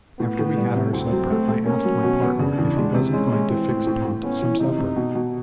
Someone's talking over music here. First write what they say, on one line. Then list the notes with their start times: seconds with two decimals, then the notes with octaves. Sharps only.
After we had our supper I asked my partner if he wasn't going to fix Pont some supper.
0.20 A2 B3
0.39 A2
0.57 G3
0.74 C3
0.93 D2 C4
1.12 F#3
1.30 A3
1.48 A3
1.66 A#3 C#4
1.85 F#3
2.03 B2
2.22 B3
2.39 C#3 D4
2.58 E2
2.76 G#3
2.94 C3
3.13 G#3 C#4
3.32 G#3
3.50 E3 C4
3.68 A2
3.87 A2
4.05 A2
4.23 B3 C#4
4.42 E3
4.60 C3 D#4
4.78 C3
4.96 B2
5.15 B2